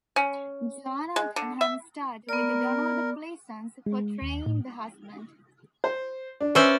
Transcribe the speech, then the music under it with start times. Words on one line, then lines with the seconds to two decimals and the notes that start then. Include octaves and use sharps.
Joanna Dunham starred, with Donald Pleasence portraying the husband.
0.16 C#4
1.16 G#3
1.36 D3
1.61 E5
2.29 B3 A#4 D5
3.86 G#3
4.22 D#2
4.46 A2
5.84 C5
6.41 D4
6.55 C#4 B4 C5 D5 E5 E6